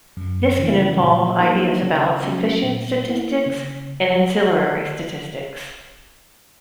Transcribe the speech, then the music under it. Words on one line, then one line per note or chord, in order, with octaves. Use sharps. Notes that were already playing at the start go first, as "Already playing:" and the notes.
This can involve ideas about sufficient statistics and ancillary statistics.
F#2
C#3 E3
A#2
F#3 A#3 D#4
C#3
F#3 C#4
A#2
A#3 E4
C#3